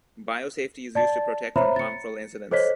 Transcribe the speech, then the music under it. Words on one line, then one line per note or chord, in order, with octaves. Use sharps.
Biosafety is used to protect from harmful incidents.
D5 A5 A6
C5 C#5 E5 A#5 B5
A6 C#7
A4 C5 C#5 D#5 B6